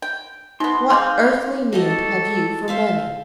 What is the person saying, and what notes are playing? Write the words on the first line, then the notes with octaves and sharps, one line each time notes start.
What earthly need have you for money?'
G5
C3 B3 D#4 C6
G#3 C4 F5 C6 D6
F#4 G4 A4 D#5
C5 E5 F5